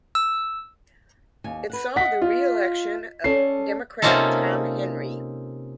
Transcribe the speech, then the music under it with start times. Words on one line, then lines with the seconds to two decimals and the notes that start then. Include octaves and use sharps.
It saw the reelection of Democrat Tom Henry.
0.15 E6
1.44 D#2 G#5
1.70 B4 F#5
1.96 D#5 F#5 B6
2.22 F4
3.24 C#4 A4 D5 C7
4.02 C3 A#3 C#4 D#4 F4 A4